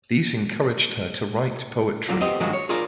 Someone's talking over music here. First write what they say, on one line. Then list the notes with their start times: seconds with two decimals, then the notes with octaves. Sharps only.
These encouraged her to write poetry.
2.09 F#3 G3 F4
2.21 B3 C4 G4 D#5
2.40 G2 D#3 F3 F#3 G#3 F#4
2.53 C#5
2.69 F4 G#4 A#4 D5